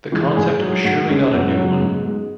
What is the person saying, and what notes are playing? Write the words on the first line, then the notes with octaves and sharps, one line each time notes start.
The concept was surely not a new one.
E3 G#3
G#2 G#4 G#5
F#3
G#2 F#4 F#5
G#3 C#4 C#5
F#2 B3
C#3 F#3
G#2
G#3